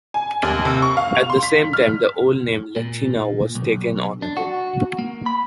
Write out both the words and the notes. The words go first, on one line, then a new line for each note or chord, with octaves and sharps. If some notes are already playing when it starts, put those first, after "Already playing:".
At the same time the old name “Latina” was taken on again.
G#5
D#2
C3
C#6
F5
F7
C6
B6
F6
A#2
B1
D4
F#4
A#3
B5